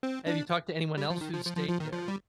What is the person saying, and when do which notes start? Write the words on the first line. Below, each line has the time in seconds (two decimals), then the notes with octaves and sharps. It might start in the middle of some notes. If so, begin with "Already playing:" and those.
Have you talked to anyone else who's stayed there?
0.03 C4
0.27 D4
0.98 G3
1.10 F3
1.21 D#3
1.34 F3
1.45 F3
1.57 F3
1.69 F3
1.80 D#3
1.92 F3
2.08 G3